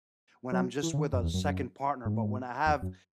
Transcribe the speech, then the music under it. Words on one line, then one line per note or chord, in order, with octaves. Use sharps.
when I'm just with a second partner, but when I have
F#3
E3
C#3
D#3
F#2
E2
F#2
F#2
G#2
A2
G#2
E2
F#2